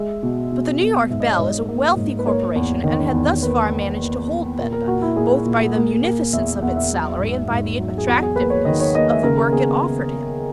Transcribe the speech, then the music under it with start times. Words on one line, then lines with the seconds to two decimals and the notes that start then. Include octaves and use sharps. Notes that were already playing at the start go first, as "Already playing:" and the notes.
But the New York Bell is a wealthy corporation and had thus far managed to hold Benda, both by the munificence of its salary and by the attractiveness of the work it offered him.
Already playing: G#3 E5
0.23 B2
0.52 B2
0.81 B3
1.10 G#2 E5
1.20 D#5
1.30 C#5
1.39 G#2 D#5
1.69 A#3
1.96 G#2
2.19 B4
2.26 A#3 C#5
2.55 E2
2.84 D#3
3.14 E2
3.43 A#3 B4
3.71 A#3
4.00 A#3
4.29 A#3
4.59 A#2 A#4
4.72 A#4
4.87 A#2 F#4
5.02 E4
5.16 A#2 G#4
5.45 A#2
5.75 A#3
6.04 A#3
6.33 E2 E5
6.62 E2 F#5
6.76 E5
6.91 F#3
7.19 G#2
7.49 G#2
7.78 F#3
7.98 G#4
8.07 E2 F#4
8.22 G#4
8.36 A#3 B4
8.50 C#5
8.65 D#3 D#5
8.80 C#5
8.94 A#3 D#5
9.09 E5
9.24 C#3 A#4
9.37 A#4
9.52 B3 G#4